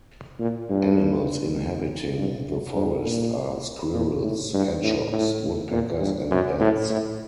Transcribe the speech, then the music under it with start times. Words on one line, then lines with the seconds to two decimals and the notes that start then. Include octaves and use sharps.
Animals inhabiting the forest are squirrels, hedgehogs, woodpeckers and bats.
0.39 A#2
0.70 G2
2.17 G2
2.47 F#2
2.75 G2
3.05 A#2
3.94 A#2
4.23 A2
4.53 G2
4.83 A2
5.12 A2
5.71 A#2
6.01 G2
6.31 F#2
6.60 A2
6.90 A2